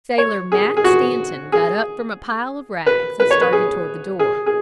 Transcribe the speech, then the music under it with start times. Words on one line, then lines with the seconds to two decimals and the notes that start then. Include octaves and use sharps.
Sailor Matt Stanton got up from a pile of rags and started toward the door.
0.18 C#5
0.52 G#4
0.77 G#4
0.84 F#4
1.52 G#4
2.86 B4
3.20 B4
3.30 C#5
3.41 B4
3.53 G#4
4.19 G#4
4.46 G#4